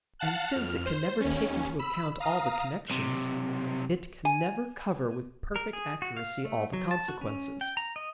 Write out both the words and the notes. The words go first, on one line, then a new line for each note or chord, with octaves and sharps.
And since it can never take into account all the connections, it can never cover with perfect accuracy all the consequences.
F5 F#5 A5 F#6
F2 F6
C5
D#2 C#4
B5 E6
F5 A#5 D#6
B1 C3
G#5
A#4
G#4
F#4
F5
A3
F#3
A5
F#4
C#4
G5
A#5
D#5